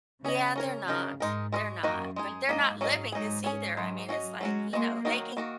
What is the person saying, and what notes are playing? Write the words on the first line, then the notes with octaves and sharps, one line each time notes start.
Yeah, they're not they're not, but they're not living this either, I mean, it's like, you know, they can
C#3 C#4 G#4 D#5
C#4 A#4 C#5
C#3 F#3 D#4 A#4
G#2 G#3 D#4 A#4
G#3 F#4 A#4 D#5
F#2 D#3 A#3 F#4 A#4 D#5
G#3 D#4 G#4
G#2 A#3 D#4 A#4 D#5
F#3 C#4 G#4 D#5
G#2 F#3 D#4 G#4
C#4 G#4 C#5
D#3 F#3 G#3
C#4 F#4 D#5
F#3 G#3 C#4 F#4
G#3 A#3 D#4 F#4 D#5
D#3 F#3 D#4 F#4 A#4
D#3 A#3 F#4 A#4